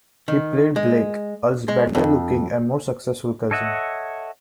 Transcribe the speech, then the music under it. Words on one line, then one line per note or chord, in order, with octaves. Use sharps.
He played Blake, Earl's better-looking and more successful cousin.
D#3
G#3
G#3
F2
A4 C#5 D#5 E5 F#5